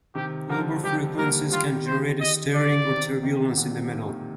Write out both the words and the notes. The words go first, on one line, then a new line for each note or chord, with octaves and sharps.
Lower frequencies can generate stirring or turbulence in the metal.
C3 D#3 G4
D3 F3 A#4
D#3 G3 G4
G3 A#3 A#4
D#3 G3 F4
C5
D#5
D5
C3 D#3
C3 D#3
A#2 D3
C3
A#2 D3
C3 D#3